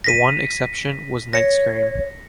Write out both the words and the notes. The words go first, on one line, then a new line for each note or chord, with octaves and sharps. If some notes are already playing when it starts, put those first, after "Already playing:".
The one exception was Nightscream.
A#6 B6 D#7
C#5 A#6 C#7